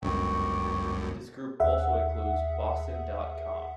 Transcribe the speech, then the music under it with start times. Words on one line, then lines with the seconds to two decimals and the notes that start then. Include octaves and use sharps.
This group also includes boston dot com.
0.02 G1 C#2 F#2 G5 C#6 D6
1.60 D#2 G#4 E5 F#5